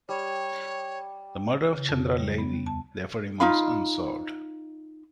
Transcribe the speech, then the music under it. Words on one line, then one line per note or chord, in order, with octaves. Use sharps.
The murder of Chandra Levy therefore remains unsolved.
G3 C#5
C#3
F2
C#5
G3
B3
D#2
A5
D#4 F4 F5 B5